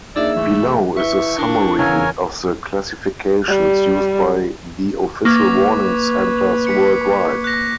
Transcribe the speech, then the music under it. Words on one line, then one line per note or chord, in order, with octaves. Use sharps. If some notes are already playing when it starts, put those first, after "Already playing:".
Below is a summary of the classifications used by the official warning centres worldwide.
A#3 D4 D#4 G#4 D5 E5 E6
E3 A3
E4 B4 E5 C#6
D4 E4 A#4
E2 C#3 A#4 C#5 F5 G#5 C#6 E6
G3
A#3 B4 C#6 D6 G#6
B6 C#7
F#6 A#6